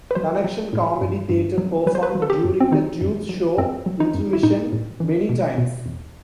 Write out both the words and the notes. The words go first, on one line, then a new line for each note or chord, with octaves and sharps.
Connection Comedy Theatre performed during the Tubes show intermission many times.
B4
F#3 C5
F#3
A2
G2
G2
F#3
F#3 B4
C5
B4
F#3
A4
G4
F#2
C4
D#3 D#4
F#2
F#3
F#2 C4
F#3
D#4
F#2
E4
A2 D#4
A2
E3
B2
B2
E2